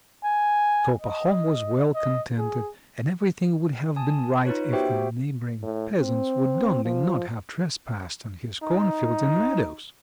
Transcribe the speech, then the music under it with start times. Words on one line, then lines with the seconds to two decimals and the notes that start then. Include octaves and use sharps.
So Pahom was well contented, and everything would have been right if the neighboring peasants would only not have trespassed on his corn-fields and meadows.
0.24 G#5
1.01 D#5
1.95 D#5
2.38 G#4
3.96 G#5 A5 D#6
4.46 D#4 F4 B4 C#5
4.72 B3 F#4 G4 C5 E5 G5
5.63 A2
5.99 C4
6.85 F3
8.63 D#4